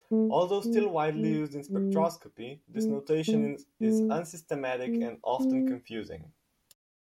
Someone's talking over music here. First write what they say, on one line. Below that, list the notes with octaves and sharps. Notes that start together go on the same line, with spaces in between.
Although still widely used in spectroscopy, this notation is unsystematic and often confusing.
A3
A#3
A3
G3
A3
A3
A3
A#3
C4